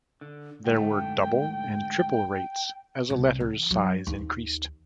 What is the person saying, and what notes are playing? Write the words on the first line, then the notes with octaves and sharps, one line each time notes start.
There were "double" and "triple" rates as a letter's size increased.
D3
D2 G#2 A3 G5
C2
E3
F#3
D#2